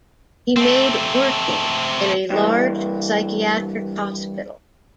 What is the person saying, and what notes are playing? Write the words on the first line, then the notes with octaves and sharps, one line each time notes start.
He made "Working" in a large psychiatric hospital.
A3 C4
G2 E3